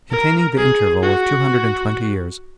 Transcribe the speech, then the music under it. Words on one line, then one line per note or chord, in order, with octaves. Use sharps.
Containing The Interval Of Two Hundred And Twenty Years.
A#4
G#4
F#4